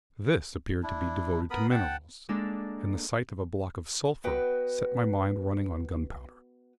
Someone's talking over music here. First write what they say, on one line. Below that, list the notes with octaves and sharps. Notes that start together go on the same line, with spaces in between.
This appeared to be devoted to minerals, and the sight of a block of sulphur set my mind running on gunpowder.
D4 E4
B3 A#4 B5 D#6
F#5 G5 A5
G#3 A#3 D4 A4 A#4
B3 F#4 B4 D#5 G5